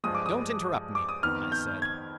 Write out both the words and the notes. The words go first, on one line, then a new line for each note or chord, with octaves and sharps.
"Don't interrupt me," I said.
G2 F3 G#3 D#6
D6
D#6
D6
D#6
F2 D#3 B3 F6
G6
G#6